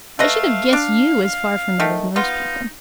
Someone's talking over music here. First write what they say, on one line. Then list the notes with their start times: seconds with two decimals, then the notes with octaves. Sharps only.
I should have guessed you as far from it as most people.
0.19 A3 B4 D#5 F5
0.73 D4
1.23 F5
1.80 D#3 A3
2.16 B3 D#4 F4